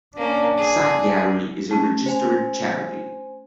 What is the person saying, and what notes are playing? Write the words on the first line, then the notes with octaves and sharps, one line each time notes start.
Site Gallery is a registered charity.
A#3 C#4 D4
G#4
A3 C#4
C5 G#5